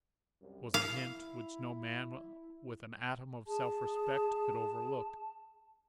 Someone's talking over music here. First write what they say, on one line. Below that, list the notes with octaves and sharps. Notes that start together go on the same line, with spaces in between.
It was a hint which no man with an atom of self-respect could overlook.
C2 F#2 G3
E4 F5
G#4 A5